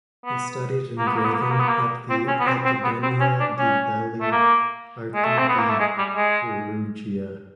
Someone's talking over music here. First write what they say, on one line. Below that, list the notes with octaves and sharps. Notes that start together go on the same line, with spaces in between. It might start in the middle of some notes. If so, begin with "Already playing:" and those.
He studied engraving at the Accademia di Belle Arti di Perugia.
B3
A#3
B3
A#3
B3
A#3
B3
A#3
B3
A#3
C4
C#4
B3
C4
C4
B3
C4
C#4
D4
C#4
A3
A#3
G#3
A3
C4
B3
A#3
A3
G#3
G3
G#3